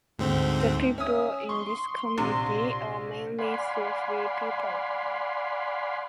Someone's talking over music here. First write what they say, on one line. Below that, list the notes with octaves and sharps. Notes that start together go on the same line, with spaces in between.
The people in this community are mainly Sefwi people.
D2 G#2 C4
C#4 E5 D#6
C6 C#6
A#1 C3
D5 F5 F#5 G#5 B5 C6